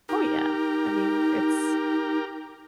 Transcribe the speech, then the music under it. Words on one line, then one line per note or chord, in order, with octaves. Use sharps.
Oh, yeah. I mean, it's
D#4 G4 A#4